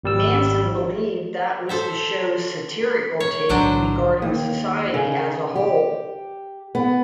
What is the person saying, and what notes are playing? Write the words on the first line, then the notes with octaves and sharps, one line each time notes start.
Manson believed that was the show's satirical take regarding society as a whole.
G#1 G3 E6
A4 C5 E5
C#5
B1 A2 D3 F#3 D4 C5
D#2
C#3
G4
B3